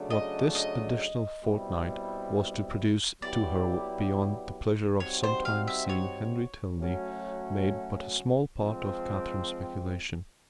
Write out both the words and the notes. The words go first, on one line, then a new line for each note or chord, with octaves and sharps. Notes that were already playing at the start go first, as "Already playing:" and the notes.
What this additional fortnight was to produce to her beyond the pleasure of sometimes seeing Henry Tilney made but a small part of Catherine's speculation.
Already playing: C#3 F#3 A3 D4
D#5
D#5
B2 G3 C4 E4
F#3 B3 E4 G4 D5
G3 C4 D#4 F#4 C#5
C5
F5
E5
C#5
F#3 A3 C#4 F#4
F3 G#3 C4